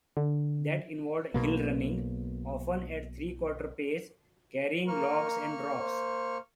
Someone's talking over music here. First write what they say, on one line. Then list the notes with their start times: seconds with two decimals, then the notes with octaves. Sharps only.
That involved hill running, often at three-quarter pace, carrying logs and rocks.
0.17 D3
1.34 B1 B2 A#3
4.88 A#3 A#4 C#6 F6
5.79 C5